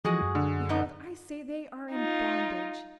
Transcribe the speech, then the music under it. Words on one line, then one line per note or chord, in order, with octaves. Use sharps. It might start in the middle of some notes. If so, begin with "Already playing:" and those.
Behold, I say they are in bondage.
E3 F3 G#3 F#4 G#4
F#2
D3
F2 B3 D#4
D#4 F4